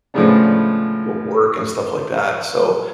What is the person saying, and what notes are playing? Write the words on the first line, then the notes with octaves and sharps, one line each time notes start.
w work and stuff like that, so,
A2 C#3 F3 G#3 B3 D4